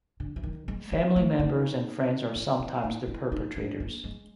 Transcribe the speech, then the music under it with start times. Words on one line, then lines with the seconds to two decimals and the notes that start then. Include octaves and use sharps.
Family members and friends are sometimes the perpetrators.
0.20 D3
0.36 E3
0.43 D#3
0.68 G#3
0.92 G#3
1.16 A3
1.39 D#4
2.35 E4
2.60 E4
2.84 D#4
3.08 E4
3.32 D#4
3.56 D4
3.80 A#3
4.04 G#3